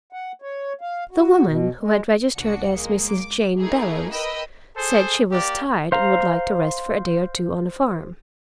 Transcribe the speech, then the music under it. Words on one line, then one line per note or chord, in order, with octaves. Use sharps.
The woman, who had registered as Mrs. Jane Bellows, said she was tired and would like to rest for a day or two on a farm.
F#5
C#5
F5
F#4
B2
G#3
C2 D4 F#4 C#7
G#3 A#3
D6
A3 A#3 D#4 E4 G#4
A#4 B4 D#5 G5 B5 E6
G#4 A4 C5
A#3 G4 D5
C5 F5 A#5